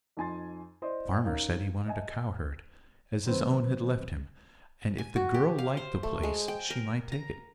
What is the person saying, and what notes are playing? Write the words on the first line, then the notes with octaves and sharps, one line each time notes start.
The farmer said he wanted a cowherd, as his own had left him, and if the girl liked the place she might take it.
F2 D#4 G#5 C6 A6
E4 C5 D5 D#5 C6
C#4 D#4 A#4 F5
D#5 E5 G#5 A5
D#3 F#3 C4 B4 C5
G#5
F#4
G4
F5
C5
A3
G#3
G5
A#4
A#5